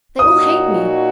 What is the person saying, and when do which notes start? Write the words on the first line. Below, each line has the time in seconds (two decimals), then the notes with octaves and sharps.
They all hate me.
0.18 A#2 F#3 D#4 F#4 D#6